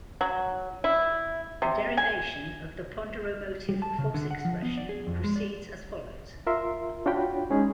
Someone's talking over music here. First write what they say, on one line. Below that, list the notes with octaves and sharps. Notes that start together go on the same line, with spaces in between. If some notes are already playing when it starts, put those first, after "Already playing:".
The derivation of the ponderomotive force expression proceeds as follows.
F#3
E4
C3
G#5
G3
A5
C#3
D3
F#5
F3
B3
D5
G#4
F2
G#3
D5
F4 A#4 E5 C6
D4 F4 F#4 C#5 G5 B5
G#3 C#4 D#4 G#4